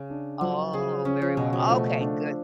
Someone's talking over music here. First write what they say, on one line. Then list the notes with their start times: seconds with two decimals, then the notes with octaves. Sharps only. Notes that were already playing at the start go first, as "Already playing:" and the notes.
Oh, very w okay, good.
Already playing: C#3
0.10 D4
0.41 F3 F#3
0.73 C#3 G#4
1.05 C#3 C#4
1.22 F3
1.37 B2 G#3
1.53 F#3
1.69 F3 A3
2.01 D4